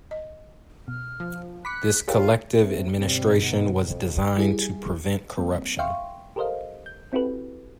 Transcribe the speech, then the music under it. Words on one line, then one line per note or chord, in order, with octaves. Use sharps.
This collective administration was designed to prevent corruption.
D#5
B2 F6
F3
B5 D6 F#6 B6 C#7
F4 G4 G#4 A#4 C#5 F5 G5
A3 C4
G1 G2 B2 G3 C4
B3 D#4
F2
G3 E4 G4 G#4
G3 A#3 C4
E5 F5 G5 C6 C#6
G4 A4 A#4 C5 D#5 F5
G6
C4 E4 F#4 G4 A4 B4